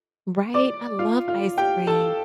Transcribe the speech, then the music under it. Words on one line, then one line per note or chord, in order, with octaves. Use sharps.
Right, I love ice cream,
D5 D6
F4 F5
F4 F5
G4 G5
A4 A5